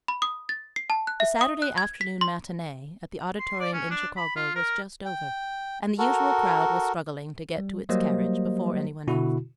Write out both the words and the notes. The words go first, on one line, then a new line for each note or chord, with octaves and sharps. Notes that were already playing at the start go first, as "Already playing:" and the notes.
THE Saturday afternoon matinee at the Auditorium in Chicago was just over and the usual crowd was struggling to get to its carriage before any one else.
B5
D#6
A6
C7
A5
F#6
E5
D#6
F#6
G#6
B6
C6
C6
D5
C#4
D4
B5
F4
A#4
G5
F#4 A4 A#4
G3
F#3 G3 A#3 G4 C5 D#5
B2 D3 E4 F#4